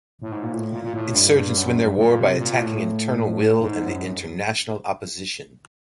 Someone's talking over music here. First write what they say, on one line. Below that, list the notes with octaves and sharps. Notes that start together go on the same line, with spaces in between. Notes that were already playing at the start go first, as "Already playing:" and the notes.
Insurgents win their war by attacking internal will and the international opposition.
A2
G#2
A#2
A2
A#2
A#2
A2
G2
G2
F#2
G2
A#2
C3
A#2
A2
G2
G#2
F#2